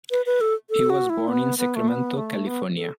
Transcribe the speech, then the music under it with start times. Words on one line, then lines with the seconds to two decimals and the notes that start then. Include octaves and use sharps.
He was born in Sacramento, California.
0.11 B4
0.26 B4
0.41 A4
0.70 A4
0.90 F#4
1.10 E4
1.28 B3
1.58 B3
1.76 A3
1.88 B3
2.17 A3
2.47 B3
2.76 A4